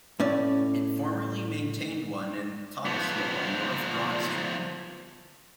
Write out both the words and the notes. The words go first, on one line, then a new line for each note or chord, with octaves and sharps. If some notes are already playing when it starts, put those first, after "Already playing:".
It formerly maintained one in Thomasville on North Broad Street.
A2 C#4 D5
F3 B3